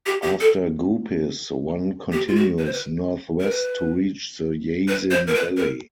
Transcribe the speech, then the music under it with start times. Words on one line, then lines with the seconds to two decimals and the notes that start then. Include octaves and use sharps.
After Gupis, one continues northwest to reach the Yasin Valley.
0.06 G4
0.23 G4
0.41 A4
2.12 G4
2.28 F4
2.35 F#4
2.58 B4
2.65 C5
2.73 B4
3.40 A#4
3.50 B4
4.88 B4
5.11 C5
5.27 A#4
5.35 B4
5.57 A#4